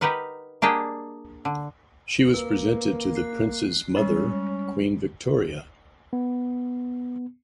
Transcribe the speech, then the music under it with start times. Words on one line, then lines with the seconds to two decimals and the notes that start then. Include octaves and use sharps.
She was presented to the Prince's mother, Queen Victoria.
0.01 D#4 G4 A#4 B4 F#5
0.62 A#3 D4 G4 G#4 D#5
1.45 D3
2.34 A#3 B4
3.15 F#6 C7
3.97 G3 G#3 C#4
6.13 B3